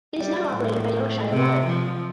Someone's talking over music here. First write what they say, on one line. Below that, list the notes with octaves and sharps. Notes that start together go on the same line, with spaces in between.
It is now operated by Yorkshire Water.
G3
A2
C3
F3